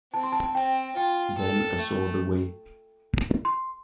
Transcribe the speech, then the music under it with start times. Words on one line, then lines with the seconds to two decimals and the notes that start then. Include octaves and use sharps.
Then I saw the way.
0.13 C4 A5
0.23 C6
0.32 A5
0.45 A5
0.55 C4 G5
0.96 F4 G5
1.38 A4
1.79 A3
3.45 C6